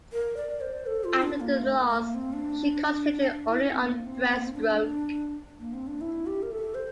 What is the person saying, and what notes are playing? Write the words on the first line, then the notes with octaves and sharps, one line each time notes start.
After the loss, she concentrated only on breast stroke.
A#4
D5
C5
A4
F4
D4
A#3
A3
A#3
A3
A#3
C4
D4
E4
D4
C4
A#3
C4
C4
A#3
C4
D4
A#3
C4
D4
E4
G4
A#4
A4
C5